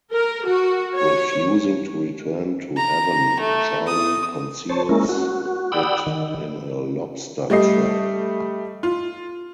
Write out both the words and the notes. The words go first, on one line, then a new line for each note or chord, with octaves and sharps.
Refusing to return to Heaven, Charlie conceals it in a lobster trap.
A#4
F#4
C#5
A#5
A3
D#6
C5 C#5 A5
G#3 A#3 C#4 E4 A#4
F#4
F#4
D5 F#5 G5 B5 D#6 E6
D#3
G3 A3 D#5 C7
F4